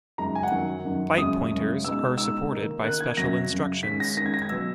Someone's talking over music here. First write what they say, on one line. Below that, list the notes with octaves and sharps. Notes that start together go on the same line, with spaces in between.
Byte pointers are supported by special instructions.
F#2 C#3 G#3 D#4 A#5
G#5
F#5
F#2 D#3 F#3
F#2 D#3 F#3
F#2 C#3 G#3 C#4 D#6
F#2 C#3 G#3 C#4
B2 G#3 D#4 E6
B2 G#3 D#4 E6
D#3 A#3 D#4
D#3 A#3 D#4 F#6
G#6
F#2 C#3 F#3 A#6
F#2 C#3 F#3
D#3 G#3 C#4 B6
A#6
D#3 G#3 C#4 A#6
G#6
A#6
G#6
B2 F#3 B3 E6